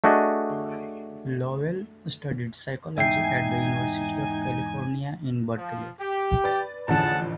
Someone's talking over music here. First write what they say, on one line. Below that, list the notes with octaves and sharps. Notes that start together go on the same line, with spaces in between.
Lovell studied psychology at the University of California in Berkeley.
A3 D4 F#4 G#4 D#5
E2 G#2 D#4 E5 G5 G#5 C7
F3
G4
B4 D5 A6
A1 F2 D3 G#4 F#5 A5